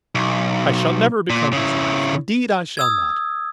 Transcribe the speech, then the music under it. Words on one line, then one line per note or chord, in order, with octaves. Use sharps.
I shall never become his wife;--indeed I shall not.
B1
A#2
C#3 E4
D#6 E6 G#6